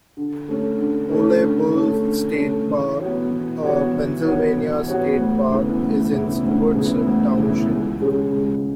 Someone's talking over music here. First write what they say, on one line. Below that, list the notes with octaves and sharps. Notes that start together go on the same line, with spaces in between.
Ole Bull State Park a Pennsylvania state park is in Stewardson Township.
D3
A3 C#4
D3
A3 C#4
D3
A3 C#4
D3
A3 C#4
E3
B3 F#4 C#5
E3
B3 F#4 C#5
E3
B3 F#4 C#5
E3
B3 F#4 C#5
D2
C#3 E3 B3 E4
D2
C#3 E3 B3 E4
D2
C#3 E3 B3 E4
D2
C#3 E3 B3 E4
C#2
C#3 G#3 C#4
C#2